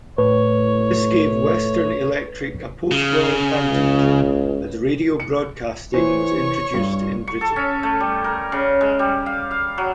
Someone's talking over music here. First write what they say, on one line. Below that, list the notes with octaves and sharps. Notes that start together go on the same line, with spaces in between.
This gave Western Electric a post-war advantage as radio broadcasting was introduced in Britain.
A2 B4 C#5
C#3
C#2
C#7
E3 C5 C#5 C#6
G2
C#6
A4
C#4
A3
G3
A#4
C#3
G#3
G3
F5
F5
F#3